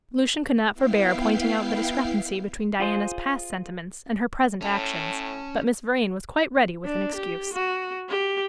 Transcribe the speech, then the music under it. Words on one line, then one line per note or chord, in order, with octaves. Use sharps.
Lucian could not forbear pointing out the discrepancy between Diana's past sentiments and her present actions; but Miss Vrain was quite ready with an excuse.
B3 E4 F5 G5 C7
F4 G#4 C5
A2 C#4 A5
D4
G4
F#4
G4